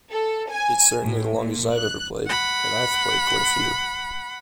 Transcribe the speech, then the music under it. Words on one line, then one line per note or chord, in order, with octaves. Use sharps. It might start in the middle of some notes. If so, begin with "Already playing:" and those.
It's certainly the longest I've ever played, and I've played quite a few.
A4
G#5
A2
A#2
F#6
F#5 B5